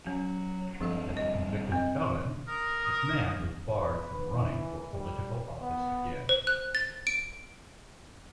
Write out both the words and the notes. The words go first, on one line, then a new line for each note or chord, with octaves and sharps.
As a convicted felon, McCann was barred from running for political office again.
F#3 C#4
G1 G2 F3 G3 C4 A4
D#5
C4 D#5
A#4 D#6
B4
E3
G3
B3
C5
F#6
A6
D7